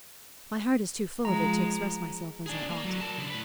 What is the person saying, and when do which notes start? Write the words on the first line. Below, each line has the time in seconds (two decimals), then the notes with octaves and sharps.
My heart is too full of it to express myself as I ought.
1.25 F3 G#3 A#5
2.46 D4 G#4
2.71 A#3
2.85 D3 F#3
3.01 A#4 A5
3.18 C#3 D4
3.30 A2 B4